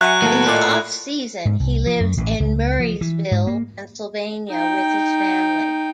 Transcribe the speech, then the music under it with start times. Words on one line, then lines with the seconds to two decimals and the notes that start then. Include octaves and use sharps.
In the offseason, he lives in Murrysville, Pennsylvania with his family.
0.01 F#3 E5 F#5 G#5 F#6
0.22 A2 D#3 A#3 A4
0.46 A#2 D#5 D6
1.45 G#2
1.60 C2
1.87 F3
2.00 F#2
2.17 A1
2.40 C#2
2.80 F3
3.01 E3
3.31 G#2
3.47 A#3
4.50 D#4 G5